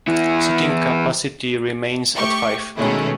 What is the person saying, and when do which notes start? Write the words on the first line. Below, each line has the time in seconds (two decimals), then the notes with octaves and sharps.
Seating capacity remains at five.
0.08 E3 B3 E4
2.14 A3 G4 C#6
2.77 B2 D#3 G#3 A3 C#4 E4